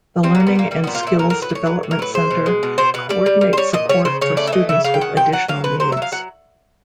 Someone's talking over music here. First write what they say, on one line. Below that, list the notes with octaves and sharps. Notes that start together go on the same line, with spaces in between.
The Learning and Skills Development Centre co-ordinates support for students with additional needs.
G3 C4
A#3
A#2
B3
G3 A#3
G3 A#3
B3
A#2
F4
A#2 E4
F#3 A#4
A#4
A2
B4
A2
C#5
F#3 B4
A2
A#4
F#3 B4
G#3 C5
B2
G#3
B2
B2 C5
B2 B4
G3 D5
G3
G3
C5
G3 C#5
A#2 D#5
G3 C#5
C#3 C5
C#3 C#5
A3 D5
E5
E3 D#5
C#3 E5
C#3 F5
G5
D#3 F#5
C3 G5
F#3 F#5
F#3 F5
C3 B4
F#3 C5
E5
F#3 F5
F#3 F#5